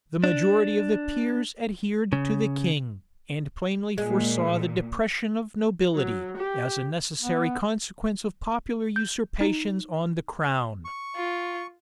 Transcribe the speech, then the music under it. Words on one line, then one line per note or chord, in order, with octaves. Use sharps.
The majority of the peers adhered to the king, and plainly foresaw the depression of nobility, as a necessary consequence of popular usurpations on the crown.
D4
C#3
A#2 G#3
F#3
G4
B3
G6
D#4
C#6
F4